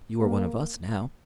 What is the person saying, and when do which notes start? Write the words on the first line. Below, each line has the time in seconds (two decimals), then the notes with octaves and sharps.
You are one of us now.
0.20 A#3